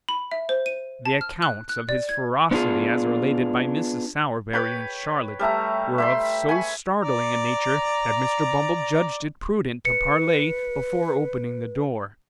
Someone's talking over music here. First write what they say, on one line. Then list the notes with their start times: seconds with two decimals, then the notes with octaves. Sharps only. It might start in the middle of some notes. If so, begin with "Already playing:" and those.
The accounts of his ferocity as related by Mrs. Sowerberry and Charlotte, were of so startling a nature, that Mr. Bumble judged it prudent to parley, before opening the door.
0.09 B5
0.31 E5
0.49 C5
0.66 D#7
1.05 A5
1.21 F6
1.42 F#6
1.69 F#6
1.89 D5
2.09 G#6
2.51 B3 C#4 D4 F4 G#4
4.53 B4 C#5 G5 B5
5.39 G3 A3 E5 A#5
5.98 E5 B5 C6
6.49 G#5 B5 C#6
7.02 D5 A#5
9.85 B4 C#7